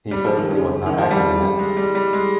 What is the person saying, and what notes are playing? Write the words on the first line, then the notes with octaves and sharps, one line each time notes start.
He certainly was not active in it.
G3
F3
D#3
C#3
D#3
F3
G3
G#3
G3
G3
G#3